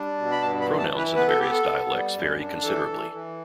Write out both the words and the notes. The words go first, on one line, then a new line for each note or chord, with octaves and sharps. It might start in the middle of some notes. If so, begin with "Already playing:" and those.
Pronouns in the various dialects vary considerably.
Already playing: G3 D4
B2
B5
G2 A5
B5
E3
A5
E3
B4
B3 B4
A4
B3 G4
A4
B3
G3
F#2
D4
E3 A4
E3
E3